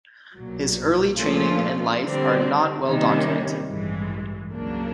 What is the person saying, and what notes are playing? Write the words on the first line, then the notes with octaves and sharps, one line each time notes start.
His early training and life are not well documented.
B1 A#2 F#3
A#2 F3 A3 C#4 F4
D3 G3 C4
C3 D#3 G3 A#3 C#4
A1 G2 E3 G#3
C#2 C#3 F#3 A#3 D4